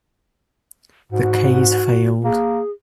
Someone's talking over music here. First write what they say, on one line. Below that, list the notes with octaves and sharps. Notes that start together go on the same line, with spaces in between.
The case failed.
G#2 F#4
A#3 G#4